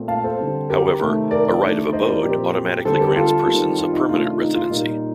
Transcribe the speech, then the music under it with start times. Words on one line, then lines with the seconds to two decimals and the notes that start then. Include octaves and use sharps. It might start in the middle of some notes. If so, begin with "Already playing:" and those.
However, a right of abode automatically grants persons a permanent residency.
Already playing: A#2 A3 C4
0.08 F5 A5
0.24 A4 C5
0.39 D3 G3 C4
0.70 G4 A#4
1.01 C3 D#3 A3 C4
1.31 A#4 D5
1.62 D#3 A3 D4
1.93 C5 D#5
2.09 A#4 D5
2.24 A#2 F3 C4 G4 A#4
2.85 D3 G3 C4 A4 C5
3.00 G4 A#4
3.16 F4 A4
3.47 D#3 G3 C4
3.78 F4
3.93 D#4
4.09 C3 D#3 A3 D4 F4
4.24 F4
4.39 D#4
4.55 F4
4.70 A#2 G3 A#3 D#4